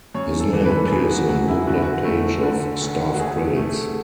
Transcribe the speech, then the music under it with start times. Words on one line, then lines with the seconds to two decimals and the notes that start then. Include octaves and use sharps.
His name appears in booklet page of staff credits.
0.15 F#2 C#5
0.40 A4
0.53 E3
0.65 B4
0.91 F#2 G#4
1.11 F#4
1.29 F#2 F#4
1.48 E4
1.67 D3 F#4
1.75 E4
1.83 F#4
2.05 A3
2.43 D3
2.81 D2
3.13 F#4
3.19 A3 G#4
3.57 A3